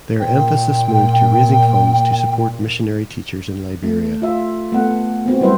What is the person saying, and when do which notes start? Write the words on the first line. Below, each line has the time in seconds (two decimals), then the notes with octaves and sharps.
Their emphasis moved to raising funds to support missionary teachers in Liberia.
0.20 A#2 G5
3.83 A3
4.22 F4 E5
4.72 A3 B3 F#5
5.26 B3 C4 F#4
5.41 F#3 G3 E4 B4 C5 E5